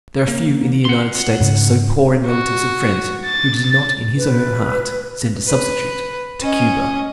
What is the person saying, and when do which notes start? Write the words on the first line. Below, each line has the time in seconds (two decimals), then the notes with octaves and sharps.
There are few in the United States so poor in relatives and friends who did not in his or her heart send a substitute to Cuba.
0.28 A#3
0.85 F#5 C6
1.40 G#2 C#3
2.26 F#4
3.25 A6
4.17 B4
5.47 B4
6.42 C#4 D#5